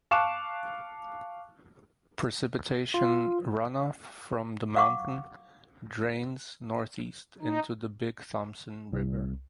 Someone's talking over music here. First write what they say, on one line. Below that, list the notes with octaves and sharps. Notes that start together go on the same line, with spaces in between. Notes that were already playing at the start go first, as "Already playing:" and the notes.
Precipitation runoff from the mountain drains northeast into the Big Thompson River.
F5 A5 C#6 D6 F#6 E7
F4
F5 F#5 C#6 D6
D#4
C2